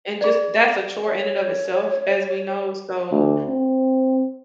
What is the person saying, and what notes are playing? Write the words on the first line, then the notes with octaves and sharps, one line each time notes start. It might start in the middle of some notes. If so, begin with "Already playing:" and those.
and just that's a chore in and of itself as we know, so,
G#4 D5
C#5
D2
C4